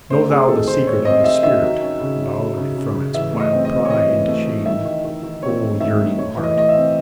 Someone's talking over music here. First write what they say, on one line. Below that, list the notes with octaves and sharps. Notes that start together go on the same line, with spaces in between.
Know thou the secret of a spirit Bow'd from its wild pride into shame. O! yearning heart!
A3 C5
C4 G#4
D#3 A4
D#3 C5
C4 C#5
C4 D#5
D#3 E5
D#3 E5
F#3
C#4
C#3
F#3
F#3
C#3
C#3
C#3
E3 E5
A3
D#5
C4
D#5
C4
C#5
E3 D#5
E3
A3
E3
D#3 E5
D#3
D#3
D#3
C4 C#5
A3
D#3 E5
A3
A3 C#5
E3
D#5
A3 D#5
E5
C4